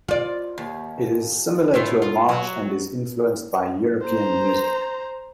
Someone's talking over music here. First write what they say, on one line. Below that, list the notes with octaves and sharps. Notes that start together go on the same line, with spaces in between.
It is similar to a march and is influenced by European music.
F4 D5
D#2
A2 E4 F4
F4
F#3
C5 A#5